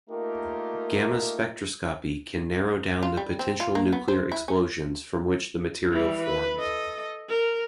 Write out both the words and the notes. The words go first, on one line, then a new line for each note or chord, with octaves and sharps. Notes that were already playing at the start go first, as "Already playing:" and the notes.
Gamma spectroscopy can narrow down the potential nuclear explosions from which the material formed.
A3 A#3 D#4 F4 G4 A#4
F4
G3
C4
F4
A#3
B3
C5
E4
C#4
E3 G3
B4
A4 D#5
A#4